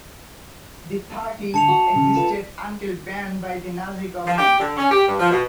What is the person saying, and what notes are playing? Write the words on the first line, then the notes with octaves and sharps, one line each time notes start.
The party existed until banned by the Nazi government.
D3 A5 C#7 F7
F#4
C#3
F4 A4 B4
F3
G4
D3
C#4
G4
G2
F3
B2